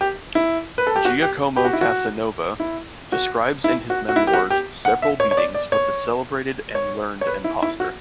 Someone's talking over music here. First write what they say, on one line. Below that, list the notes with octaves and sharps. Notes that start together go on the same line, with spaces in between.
Giacomo Casanova describes in his memoirs several meetings with the "celebrated and learned impostor".
G4
E4
B4
A4
G4
F#4
G4
G4
F#4
E4
F#4
E4
F#4
E4
F#4
F#4
E4
G4
F#4
G4
F#5
E5
C#5
C#5
D5
D5
C#5
C#5
C#5
B4
E4
E4
F#4